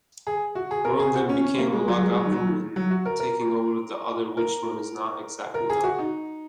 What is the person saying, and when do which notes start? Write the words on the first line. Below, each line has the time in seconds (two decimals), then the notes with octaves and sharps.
One of them became Lagavulin, taking over the other-which one is not exactly known.
0.27 G#4
0.55 F#4
0.71 G#4
0.85 A#4
1.00 G#4
1.15 F#4
1.29 C#4
1.44 C#4
1.58 A#3
1.73 G#3
1.88 F#3
2.03 G#3
2.17 F#3
2.26 D#3
2.32 F#3
2.47 D#3
2.76 F#3
2.91 F#4
3.05 A#4
3.20 A#4
4.37 A#4
5.54 A#4
5.70 G#4
5.83 F#4
5.99 D#4